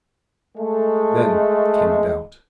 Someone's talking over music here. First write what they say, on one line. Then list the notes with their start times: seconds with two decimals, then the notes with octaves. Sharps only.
Then came a doubt.
0.58 G#3 A3